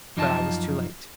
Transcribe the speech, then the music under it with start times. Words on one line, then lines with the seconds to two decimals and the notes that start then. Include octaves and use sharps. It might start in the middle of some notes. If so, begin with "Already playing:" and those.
But I was too late.
0.17 F#2 F3 D#4 D#5 G#5 A5